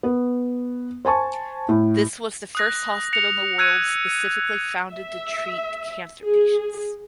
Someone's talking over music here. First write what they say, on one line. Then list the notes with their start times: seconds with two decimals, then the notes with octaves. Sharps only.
This was the first hospital in the world specifically founded to treat cancer patients.
0.03 B3
1.05 C5 G#5 A5 C#6
1.69 A2
2.55 D#6 F#6 A#6
3.13 A#6 C#7 F7
3.58 E6 F#6 G#6 C#7 D#7
4.92 E5
6.22 G#4